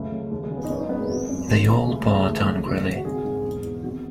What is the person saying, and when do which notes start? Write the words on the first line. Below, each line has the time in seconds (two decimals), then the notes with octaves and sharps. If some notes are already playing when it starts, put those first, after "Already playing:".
They all part angrily.
Already playing: C#2 F#2 A3
0.12 C#3
0.31 D#2 G#3
0.44 G#3
0.50 C#3
0.57 B3
0.64 D#4
0.70 F#1 C#4
0.80 D#4
0.89 F#2 B3
1.00 G#3
1.09 G#1 F#3
1.29 F#2
1.48 D#2
1.68 C#3
1.87 C#2 A3
2.00 G#3
2.07 C#3
2.26 D#2 A3
2.46 C#3
2.65 D#2
2.85 C#3
2.96 F#4
3.04 G#1 G#4
3.25 G#2
3.43 E1
3.63 E2
3.83 G#1 F#4